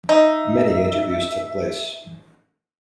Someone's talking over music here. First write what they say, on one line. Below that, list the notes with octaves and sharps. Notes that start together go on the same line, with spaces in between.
Many interviews took place.
D#4 E5